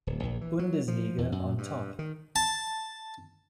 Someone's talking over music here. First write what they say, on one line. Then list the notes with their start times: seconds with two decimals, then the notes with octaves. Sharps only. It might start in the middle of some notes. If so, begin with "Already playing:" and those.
Bundesliga on top.
0.07 D1
0.23 A#1
0.41 E3
0.59 F#3
0.88 F3
1.18 E2
1.32 F#2
1.58 G2
1.99 D#3
2.36 A5